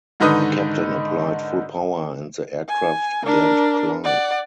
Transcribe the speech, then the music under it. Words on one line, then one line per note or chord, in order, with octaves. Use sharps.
The captain applied full power and the aircraft began to climb.
G#2 D3 D#3 D#4 B4 D#6
G#5
D4 A#4
D5 F#5